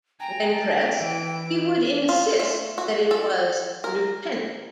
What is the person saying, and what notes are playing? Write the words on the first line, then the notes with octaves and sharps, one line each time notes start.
When pressed, he would insist that it was "Lieutenant".
G5 G#5 A#5
A5
E3 E4 D7
F4
A3
F#4
A4
A#4